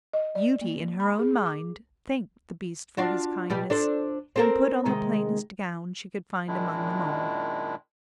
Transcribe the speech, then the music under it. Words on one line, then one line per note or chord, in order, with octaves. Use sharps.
Beauty, in her own mind, thanked the beast for his kindness, and put on the plainest gown she could find among them all.
D#5
D5
A#3
B5
G#4
D6
D4 F4 F#4
B2 G3 G4
D4 A4 C5
C4 A4 A#4
C3 D#3 G#3
F#2 A#2 D#3 G#3 D4 E4